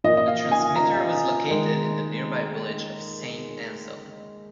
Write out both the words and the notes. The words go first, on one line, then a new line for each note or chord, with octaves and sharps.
The transmitter was located in the nearby village of Saint Anselme.
A#2 A#3 D#5
D#5
F5
G#5
A#5
D#3 G#3